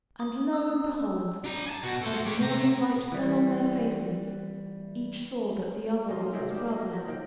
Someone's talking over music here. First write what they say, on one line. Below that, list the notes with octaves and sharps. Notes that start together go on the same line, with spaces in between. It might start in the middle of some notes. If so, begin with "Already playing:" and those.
And lo! and behold, as the morning light fell on their faces, each saw that the other was his brother.
D#6
E6
D4 A#5
G#5 A5
B2 F#4
A4 C5
G4 C#5
C3 A#5
E3 G3
A#3 C#4 D#4 F4
C3 D#3 F#3 C#4
D4 G4
A#3 D#5
F3 F#3
D#3 F3 A#4 G5